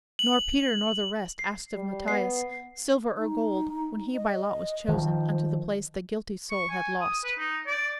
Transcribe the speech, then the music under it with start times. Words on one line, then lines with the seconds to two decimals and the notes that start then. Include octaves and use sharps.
Nor Peter nor the rest asked of Matthias Silver or gold, when he by lot was chosen Unto the place the guilty soul had lost.
0.19 F#7
1.39 C7
1.73 G3
2.08 B3 C7
3.18 D#4
4.15 D#5
4.88 D#3 F3 C5
6.51 C#6
6.70 G#5
7.01 D#6
7.24 B4
7.38 D#4
7.67 D5